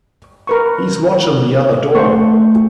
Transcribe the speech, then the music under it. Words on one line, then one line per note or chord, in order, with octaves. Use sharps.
He's watching the other door.
A#4 B4 C#6
A3 C5 F#5 C#6